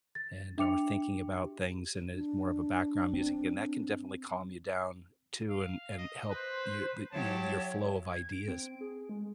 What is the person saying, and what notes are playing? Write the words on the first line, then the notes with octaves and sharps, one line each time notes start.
and, or thinking about things and it's more of a background music, and that can definitely calm you down too and and help you the you know, your flow of ideas.
A6
D4 E5 G5 D6 C#7 F7
G4
D4
C4
F5
D#5
B4 C5
F#3 E4 G4 C#5 A5
G#6
D7
C4
G#4
G#3